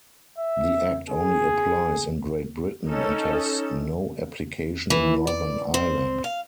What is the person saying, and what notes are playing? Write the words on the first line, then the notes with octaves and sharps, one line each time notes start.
The Act only applies in Great Britain and has no application in Northern Ireland.
E5
G#4
C#4 D#4 A4
E3
D5
C4
F5